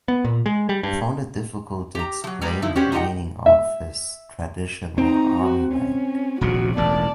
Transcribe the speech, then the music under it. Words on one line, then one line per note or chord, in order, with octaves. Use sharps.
He found it difficult to explain the meaning of his "traditional" army rank.
B3
A#2
G#3
G3
G2
G4 A#5
F3 F#3
G3 G#3 B4 D5 A#5
D3 F3 D#4 E4
C#4 F#4 G4 C5 D5
D#4 F4 G4 D#5 F#5 G5
E5
C4 D#4 A#5
F#4
C#4
D#1 A#1 C3 F#4
E1 A1 A#3 D5 A5